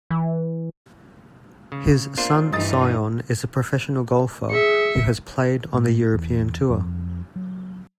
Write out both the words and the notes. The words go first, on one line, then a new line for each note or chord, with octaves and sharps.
His son Sion is a professional golfer who has played on the European Tour.
E3
C#3
A#3 D4 F4 C5
G2 E3 D#4 D#5 D#6 A6
G#4 E5 C#7
A2
E2
F2
F#3